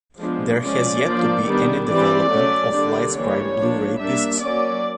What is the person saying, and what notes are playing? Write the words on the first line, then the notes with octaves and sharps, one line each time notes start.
There has yet to be any development of LightScribe Blu-ray discs.
F3 G#3 B3 D4
F3 G#3 C#4 D5
F3 A#3 D4
D#3 G3 B3 D4
E3 G3 C4 D5
F#3 A3 C#4
D3 G3 A#3 D4
E3 G3 A#3 D4 C#5
F3 A#3 D4
G3 A#3 D4 E5
F#3 A#3 C#4 D5